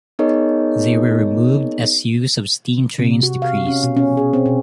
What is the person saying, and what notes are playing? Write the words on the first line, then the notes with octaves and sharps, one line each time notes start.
They were removed as use of steam trains decreased.
B3 D#4 G#4 A#4 C#5 D#5
C3
F#4
F5
C#4
B2
C#4
G#4
C4
B2